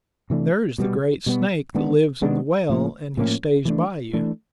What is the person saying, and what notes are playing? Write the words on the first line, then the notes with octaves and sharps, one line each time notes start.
There is the great snake that lives in the well, and he stays by you.
C3 E3 A3 D4
B2 G3 B3
B2 G3 B3
D#3 G#3 B3 D4
D#3 G#3 B3 D4
A2 F3 A#3 C#4
A2 F3 A#3 C#4
E3 A3 D4
E3 A3 D4